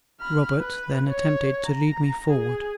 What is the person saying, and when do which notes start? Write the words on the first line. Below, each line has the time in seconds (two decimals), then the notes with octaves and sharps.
Robert then attempted to lead me forward.
0.21 B5 F6
0.60 B4
1.10 C#5
1.67 A#5
2.31 G#4